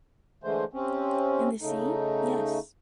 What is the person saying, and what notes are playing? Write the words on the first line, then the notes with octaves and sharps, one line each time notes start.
In the sea, yes.
D3 E3 G#3 A3 C5
C3 C4 C#4
C#3 A3 D#4